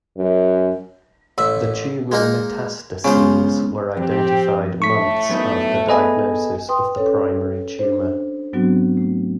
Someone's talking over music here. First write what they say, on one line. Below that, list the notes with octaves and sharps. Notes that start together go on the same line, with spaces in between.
The Tumour metastases were identified months after diagnosis of the primary tumour.
F#2
A1 E5 E6
G#3 A#3 D#4
C#3 F3 G#3 B3 C#4 C5
F2 C4 G4
A2 A3 C#6 B6
F#2 B3 D#4
B3 G#4 A4 B4 D#5 G#5
B4 G5 C6 D#6
C#4 A4 C#5
D4 C5
G#2 F#3 B3 C4 D4 F#4
A3